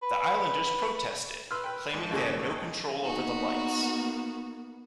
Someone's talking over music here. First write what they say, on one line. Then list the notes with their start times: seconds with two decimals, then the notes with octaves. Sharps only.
The Islanders protested, claiming they had no control over the lights.
0.03 B4
1.51 B4 C6 E6 F6
1.64 B4 G5
1.93 G#2 F3
2.11 D#2 A#2 C#3 A#3 G#4 A4
3.03 A#3 B3 D#4 F#4